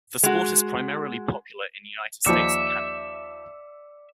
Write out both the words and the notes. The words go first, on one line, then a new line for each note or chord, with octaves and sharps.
The sport is primarily popular in United States and Canada.
G#3 F#4
D#2 F3 D5 E5 D6 C#7